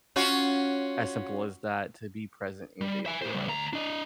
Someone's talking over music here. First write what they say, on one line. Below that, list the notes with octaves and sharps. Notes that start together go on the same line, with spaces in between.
as simple as that to be present in your day-to-day life,
C#4 F4 F#4
G3
E5 G#5
A2 C5
C#3 G3
D2 A#5
D4 D#5